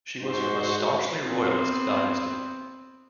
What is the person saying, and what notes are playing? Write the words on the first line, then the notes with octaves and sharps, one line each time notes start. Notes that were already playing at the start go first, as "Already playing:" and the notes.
She was from a staunchly Royalist dynasty.
G#2 F#4 C5
B3 C4